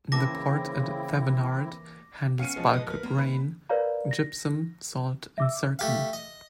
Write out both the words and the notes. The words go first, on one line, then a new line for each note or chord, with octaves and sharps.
The port at Thevenard, handles bulk grain, gypsum, salt and zircon.
C#3 E3 A#3 C4 E4 A5 D6 A#6
B3 C#4 F5 C#7 D#7
B1 F3 G#3
B2 B4 D#5
A1 A#4 B4 F6
A#3 B3
D#3 B4
A#4 B4 C#5 D5 F5 A#5
A#6
E5 D6 E6
A3 G4 F5
D#5